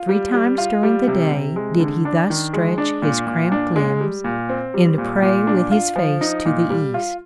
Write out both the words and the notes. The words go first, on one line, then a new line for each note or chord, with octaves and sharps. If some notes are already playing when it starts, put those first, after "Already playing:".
Three times during the day did he thus stretch his cramped limbs, and pray with his face to the East.
Already playing: F4
G3
G3
F4
G3
C3
C3
G#3
D3
D4
D#3
G#3
D4
A#2
A#2
D4
G#3
G3
A#2
C4
G3
A#2
A#2
D4
F4
F3
D#4
A#2
G3
F4